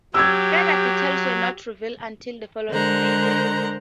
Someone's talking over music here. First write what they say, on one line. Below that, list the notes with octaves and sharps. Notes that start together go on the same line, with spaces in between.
Further details were not revealed until the following week.
F#3 G4 E6 G#6
D3 G#3 A#4 C5 A#5 F#6